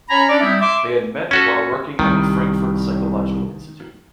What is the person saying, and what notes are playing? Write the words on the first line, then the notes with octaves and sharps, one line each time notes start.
They had met while working at the Frankfurt Psychological Institute.
C#4 C#5 G#5 A#5 B5
C#4 D4 A4 D5
G3 C4 D#4 E4 E5
E5 C6 D6
C#4 F#4 A4
C2 D#3